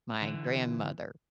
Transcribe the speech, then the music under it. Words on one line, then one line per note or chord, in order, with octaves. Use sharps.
my grandmother
D3 E3